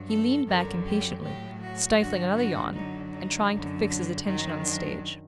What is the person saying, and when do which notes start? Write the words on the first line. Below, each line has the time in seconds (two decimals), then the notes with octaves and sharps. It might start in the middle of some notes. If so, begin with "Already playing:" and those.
He leaned back impatiently, stifling another yawn, and trying to fix his attention on the stage.
Already playing: G2 F#3
0.09 A4
0.47 F#2 D3 F#3 A#4
0.85 G4
1.23 A2 F#3 G4
1.61 F#4
1.98 G2 D3 F#3 F#4
2.36 F#4
2.74 F#2 D3 F#3 D#4
3.12 D#4
3.50 F#2 D3 F#3
3.87 D4
4.25 F#2 D#3 F#3 D#4
4.63 D4